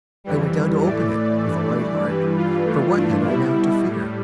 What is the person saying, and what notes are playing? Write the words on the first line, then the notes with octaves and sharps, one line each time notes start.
I went down to open it with a light heart,--for what had I now to fear?
F2 E3 G3
A2 E3 A3 D5
G2 E3 A3
G2 E3 G3 B4
F4
G2 E3 A3
D4
B2 G3 E4
A2 G3